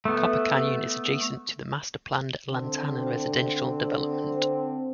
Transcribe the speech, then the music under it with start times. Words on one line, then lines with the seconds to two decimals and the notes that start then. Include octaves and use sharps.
Copper Canyon is adjacent to the master-planned Lantana residential development.
0.05 A3 B3
2.51 D3 C4